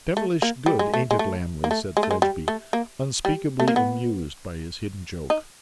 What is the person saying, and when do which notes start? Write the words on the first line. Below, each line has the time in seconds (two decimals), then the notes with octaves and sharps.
'Devilish good, ain't it, Lammle?' said Fledgeby, unspeakably amused by his hidden joke.
0.17 A3
0.42 A#3
0.66 G3
0.79 G#3
0.94 A3
1.11 G#3
1.19 A3
1.64 A#3
1.71 A3
1.97 G#3
2.03 A3
2.11 G#3
2.22 G3
2.48 A3
2.73 A#3
3.25 G3
3.60 A3
3.68 A#3
3.76 B3
5.30 D#4